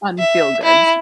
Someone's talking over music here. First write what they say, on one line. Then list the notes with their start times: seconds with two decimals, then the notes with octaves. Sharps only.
on feel goods.
0.19 E5
0.63 E4